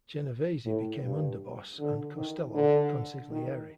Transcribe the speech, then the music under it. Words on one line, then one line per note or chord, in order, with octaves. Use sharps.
Genovese became underboss and Costello "consigliere".
A2
G2
D3
D#3
D3
D#3